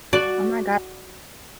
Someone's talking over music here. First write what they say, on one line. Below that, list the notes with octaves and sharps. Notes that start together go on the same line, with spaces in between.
Oh my go
F#4 D5